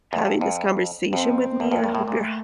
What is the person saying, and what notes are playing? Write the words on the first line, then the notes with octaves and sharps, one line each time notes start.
having this conversation with me. I hope your h
E2
F2
F2
F2 C4
E2 A#3
F2
G2
A2
A#2 A3